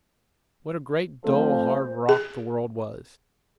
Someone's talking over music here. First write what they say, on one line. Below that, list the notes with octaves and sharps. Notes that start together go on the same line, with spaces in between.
What a great dull hard rock the world was!
F2 F3 A3 C4 A4 C5
G#4